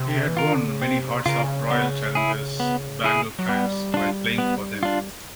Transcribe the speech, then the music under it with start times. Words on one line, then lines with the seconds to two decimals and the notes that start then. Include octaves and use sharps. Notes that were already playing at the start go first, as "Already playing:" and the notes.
He had won many hearts of Royal Challengers Bangalore fans while playing for them.
Already playing: C3
0.27 E3
0.37 D#3 F4 A#4
0.54 D3
0.68 C#3
0.82 C3 C4
1.26 C#3 F4 A#4
1.71 B3
2.15 E4 G#4
2.60 B3
3.04 E4 G#4
3.39 F#3
3.49 G3 B3
3.94 D4 F4
4.38 B3
4.83 D4 F4